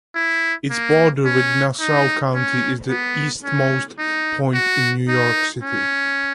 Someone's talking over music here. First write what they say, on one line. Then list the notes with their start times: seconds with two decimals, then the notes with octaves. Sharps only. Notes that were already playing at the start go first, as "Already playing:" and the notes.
Its border with Nassau County is the easternmost point in New York City.
0.15 E4
0.71 A#3
1.25 C#4
1.80 D#4
2.35 C#4
2.90 B3
3.44 C#4
3.99 D#4
4.54 F#4
5.09 D#4
5.63 C#4